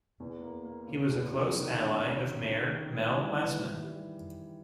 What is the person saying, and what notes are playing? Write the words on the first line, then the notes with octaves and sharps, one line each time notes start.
He was a close ally of mayor Mel Lastman.
E2
A#3
A#3
C#3
E2
E2
D#3
C#4
D#3
D#3
D#3
D#3
E3
G3
E3
E3
G3